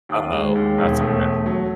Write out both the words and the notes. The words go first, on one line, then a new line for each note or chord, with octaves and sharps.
Uh-oh, that's not good.
D#2
G#3
D#2
E1
A3
A3
F#3